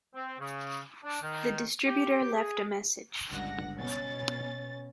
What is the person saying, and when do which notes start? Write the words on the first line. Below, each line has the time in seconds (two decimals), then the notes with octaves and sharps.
The distributor left a message.
0.15 C4
0.39 C#3
1.03 D4
1.22 D#3
1.85 G4
2.33 G#4
3.30 G1 C#2 D4 F#5 A#6
3.77 B2 C#4 A6